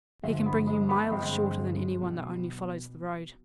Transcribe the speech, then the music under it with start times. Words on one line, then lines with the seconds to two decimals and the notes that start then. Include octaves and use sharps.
He can bring you miles shorter than any one that only follows the road.
0.23 G2 D3 F3 G#3
0.46 B3
0.67 G#3
0.89 B3
1.11 G2 D3 F3 G#3 C4
1.99 B1 B2